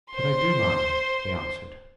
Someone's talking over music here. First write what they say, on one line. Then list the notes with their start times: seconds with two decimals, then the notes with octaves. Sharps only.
"But I do mind," he answered.
0.12 C5 C6